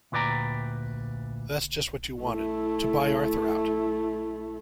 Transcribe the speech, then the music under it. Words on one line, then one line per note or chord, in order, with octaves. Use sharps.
That’s just what you wanted to buy Arthur out.
D2 A#2 B4 D5 G5 A#5
A3 E4